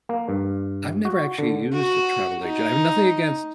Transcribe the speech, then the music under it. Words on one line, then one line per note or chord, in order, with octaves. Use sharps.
I've never actually used a travel agent. I have nothing against,
A#3
G2
F#4
D3
F#4
D#4